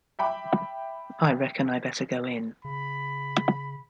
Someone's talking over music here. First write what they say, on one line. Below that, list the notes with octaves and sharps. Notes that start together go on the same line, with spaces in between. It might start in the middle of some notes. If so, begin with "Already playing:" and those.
I reckon I better go in.
E5 G5 B5 D6
C#3 B5